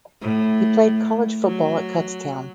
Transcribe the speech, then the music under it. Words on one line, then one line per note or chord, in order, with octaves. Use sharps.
He played college football at Kutztown.
A2
F#3